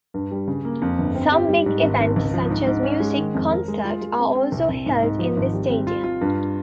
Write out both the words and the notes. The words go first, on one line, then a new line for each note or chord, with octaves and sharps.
Some big event such as music concert are also held in this stadium.
G2
G3
C#3
A#3
F2
G1
C4
G4
G3
G#2
G#1
G#1
C#2
F3
G#2
G#2
C#4
G#3
D#3
F2
A#4
G#3
F4
G#3
C4
C4
C2
C2
G#2
G#2
F3
G#1
G3
C4
F4
F4
G2